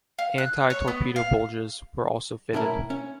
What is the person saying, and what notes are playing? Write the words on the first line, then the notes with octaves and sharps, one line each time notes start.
Anti-torpedo bulges were also fitted.
F5
F#6
C#5
B3
F5
B1 A2 C#4 E4 A#4
C#4